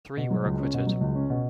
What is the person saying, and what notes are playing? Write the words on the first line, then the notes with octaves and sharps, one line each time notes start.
Three were acquitted.
B2
F#3
C#2
C#4
B2
F#3
C#2
C#4
B2